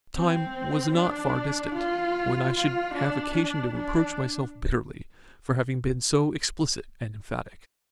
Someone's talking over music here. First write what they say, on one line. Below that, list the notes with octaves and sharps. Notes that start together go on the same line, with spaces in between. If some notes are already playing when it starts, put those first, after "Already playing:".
But the time was not far distant when I should have occasion to reproach myself bitterly for having been so explicit and emphatic.
C4
D4
F4
F4
D4
D4
D4